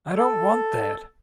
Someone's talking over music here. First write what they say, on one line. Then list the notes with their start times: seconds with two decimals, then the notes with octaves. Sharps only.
I don't want that.
0.16 A4